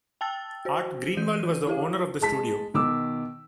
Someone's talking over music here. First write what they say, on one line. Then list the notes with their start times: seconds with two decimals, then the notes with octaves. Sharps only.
Art Greenwald was the owner of the studio.
0.21 G5 A5 E6 A6
0.65 F#4 C5
1.17 E3 G6 D#7
1.67 E4 G4 F5
2.21 G#3 A5 B6
2.74 B2 D#3 D6 E6